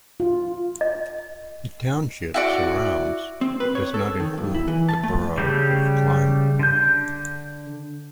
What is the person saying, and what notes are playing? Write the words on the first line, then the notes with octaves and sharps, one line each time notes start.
The township surrounds but does not include the borough of Clymer.
F4
D#5
E4 F#4 D5
C4
B4
C#5
A4
D#3
B1
E4
E3
A5
A3
C#3 G3 A3 G4
D3 G6